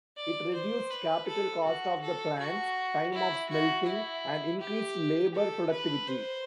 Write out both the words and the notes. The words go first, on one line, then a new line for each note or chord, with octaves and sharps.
It reduced capital cost of the plants, time of smelting, and increased labor productivity.
D5
C5
B4
A4
F#4
A4
F#4
E4
F#4
E4
G4
A4
B4
C5